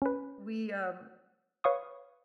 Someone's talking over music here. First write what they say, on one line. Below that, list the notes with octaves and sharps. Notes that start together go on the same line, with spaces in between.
We, um
C#4 B4
B4 C#5 F5 C#6 D#6